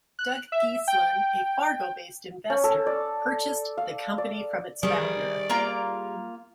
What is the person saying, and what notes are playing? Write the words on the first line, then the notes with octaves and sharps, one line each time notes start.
Doug Geeslin, a Fargo-based investor, purchased the company from its founder.
F#6
E5
G5
C#4
A4
D5
F5
D5
D#3 G3 G#4 D5
A#3 F4 A#5